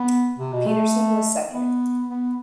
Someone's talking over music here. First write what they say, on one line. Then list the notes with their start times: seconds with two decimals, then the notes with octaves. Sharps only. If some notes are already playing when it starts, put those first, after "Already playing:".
Peterson was second.
Already playing: B3
0.39 C3
0.53 B2
0.67 A3
1.52 B3
2.08 B3